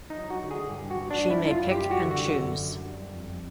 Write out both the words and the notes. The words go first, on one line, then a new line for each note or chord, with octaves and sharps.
She may pick and choose.
D#4
F#3
F#4
D3
G#4
G2 G4
F#4
G2
D4
F#3
E4
F#2 F4
G4
G3
F#4
D3
F#4
F#2
F#2
G3
F2